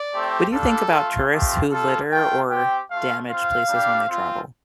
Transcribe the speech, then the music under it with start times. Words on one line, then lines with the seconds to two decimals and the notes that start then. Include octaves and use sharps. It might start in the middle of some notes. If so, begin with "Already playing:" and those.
What do you think about tourists who litter or damage places when they travel?
Already playing: D5
0.13 A3 C4 G4
0.52 G3 D4 F4 A4
0.92 A3 F4
1.31 A3 C4 F4 G4
1.70 G3 F4 A4
2.10 A3 F4 G5
2.50 C4 G4 G5
2.89 A3 F4 F5
3.28 C4 F4 F5
3.68 G3 D4 G4
4.08 C4 F4